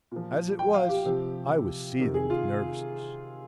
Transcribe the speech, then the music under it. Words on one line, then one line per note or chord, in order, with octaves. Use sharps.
As it was, I was seething with nervousness.
A#2 F3
G5
F5
G4
C3 F3
C3 D#3
G#4
F4